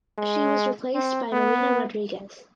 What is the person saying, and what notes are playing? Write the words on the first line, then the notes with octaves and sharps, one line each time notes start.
She was replaced by Marina Rodriguez.
G#3
C4
B3